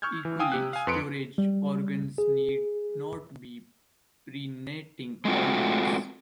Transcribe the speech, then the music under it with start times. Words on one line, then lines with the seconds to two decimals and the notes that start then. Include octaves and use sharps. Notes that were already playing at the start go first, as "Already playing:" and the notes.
Equally, storage organs need not be perennating organs.
0.02 C#6 E6 F6 G6 G#6
0.25 E3
0.39 F5 G5 G#5 D#6 E6
0.52 C3 G4 F#6
0.73 F5 G#5
0.87 F2 B4 C6 C#7 D7
1.38 G3
2.18 G#4
5.25 G#3 A3 C4 F4 F#4